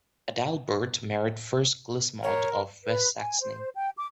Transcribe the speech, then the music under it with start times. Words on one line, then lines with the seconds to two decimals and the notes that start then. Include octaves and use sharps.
Adalbert married first Glismod of West-Saxony.
2.24 A#4 C#5
2.84 B4
3.19 G#5
3.41 C5
3.74 G5
3.96 D6